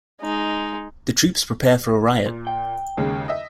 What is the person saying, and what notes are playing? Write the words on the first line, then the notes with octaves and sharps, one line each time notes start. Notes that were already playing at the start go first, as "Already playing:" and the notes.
The troops prepare for a riot.
G#3 D#4
A#2
G5
D#2 C#3 G#3
D#5 E5